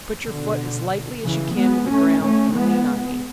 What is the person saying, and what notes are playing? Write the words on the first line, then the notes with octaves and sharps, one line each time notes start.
Put your foot as lightly as you can to the ground, and lean on me.
B2 D3
C#3 E3
G#3 B3
A3 C#4
A3 C#4
G#3 B3